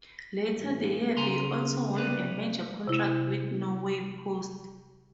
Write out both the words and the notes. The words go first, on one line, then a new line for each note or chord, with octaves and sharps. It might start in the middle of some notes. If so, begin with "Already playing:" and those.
Later the year they also won a major contract with Norway Post.
A1
C#3 G#5 A#5 C6
C2 G3 B4
C3 E4